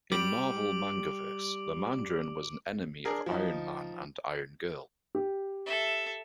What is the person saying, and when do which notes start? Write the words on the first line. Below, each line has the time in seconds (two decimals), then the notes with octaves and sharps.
In Marvel Mangaverse The Mandarin was an enemy of Iron Man and Iron Girl.
0.12 G3 G4 D6 D7 F#7
3.05 D4 G#4 A#4
3.26 F3 D#4
5.15 G4
5.66 A4 E5